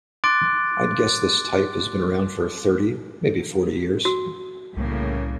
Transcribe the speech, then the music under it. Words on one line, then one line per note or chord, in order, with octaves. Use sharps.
I'd guess this type has been around for thirty - maybe forty - years.
C6 D6 F#6 A6 D7
F#4
C2 A2 C#3 A#3